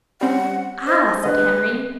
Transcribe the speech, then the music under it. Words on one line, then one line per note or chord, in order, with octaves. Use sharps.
"Ah!" said Henry.
G3 C4 C#4 F#5
C5 D#5
D3 B4 D#5